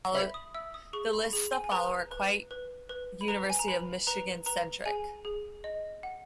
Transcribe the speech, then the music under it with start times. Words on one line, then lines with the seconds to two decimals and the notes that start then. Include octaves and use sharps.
The lists that follow are quite University of Michigan centric.
0.15 E5 B5
0.34 D#6
0.54 E5 E6
0.74 D#6
0.93 G#4 C#6
1.13 B5
1.33 G#4
1.52 G#5
1.64 G#5
1.72 B4 A#5
2.11 B4
2.51 B4
2.89 B4
3.21 B5
3.28 B4 A#5
3.50 G#5
3.59 A#5
3.68 B4 B5
4.07 B4 A#5
4.46 B4 A#5
4.86 G#4 G#5
5.25 G#4
5.64 D#5
6.03 F#5